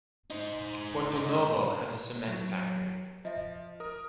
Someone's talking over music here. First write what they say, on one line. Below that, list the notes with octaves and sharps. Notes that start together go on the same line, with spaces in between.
Porto-Novo has a cement factory.
D#4 C5
F#3
F3 D#5 E5
A#4 D#6